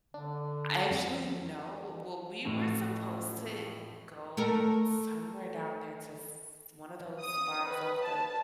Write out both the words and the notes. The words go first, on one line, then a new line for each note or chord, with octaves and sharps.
Actually, no well, we were supposed to go somewhere down there to s one of those bars off the
D3 D4
F2
A1 F2 A2
A3 A4 A#4
D#6
B4
A5